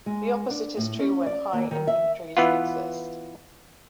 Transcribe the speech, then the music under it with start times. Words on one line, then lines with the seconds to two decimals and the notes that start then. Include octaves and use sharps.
The opposite is true when high inventories exist.
0.06 G#3
0.50 D4
0.77 A2
0.99 C#4
1.26 D5
1.53 D#2
1.71 D#3
1.87 E5
2.37 E3 B3 F4